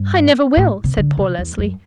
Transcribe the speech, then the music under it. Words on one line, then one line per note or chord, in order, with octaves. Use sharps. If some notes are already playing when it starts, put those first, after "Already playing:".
"I never will," said poor Leslie.
Already playing: G2
A2
C3
D3
C3
E2
F#2